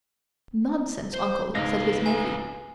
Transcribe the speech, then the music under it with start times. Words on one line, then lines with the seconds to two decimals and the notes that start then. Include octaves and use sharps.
"Nonsense, uncle!" said his nephew.
1.14 C5
1.55 C#2 G#2 B3 F5 A#6
2.06 G#5